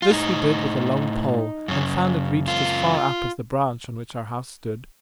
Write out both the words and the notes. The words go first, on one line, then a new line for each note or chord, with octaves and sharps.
This we did with a long pole, and found it reached as far up as the branch on which our house stood.
F4
A2 D#4
F#2 C#3
F4